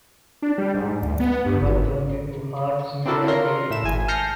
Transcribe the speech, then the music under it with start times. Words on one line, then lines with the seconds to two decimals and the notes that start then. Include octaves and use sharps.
But don’t be too hard on her, Heidi.
0.42 D4
0.58 G3
0.75 G#2
1.03 D2
1.20 B3
1.46 G2
1.62 G#1
3.05 C4 D4 E4 F#4 A4 A#4
3.27 F4 A#4 C6
3.70 A2 E5 E7
3.84 G#1 G#5
4.08 A5 F6 G6 A#6 C7 C#7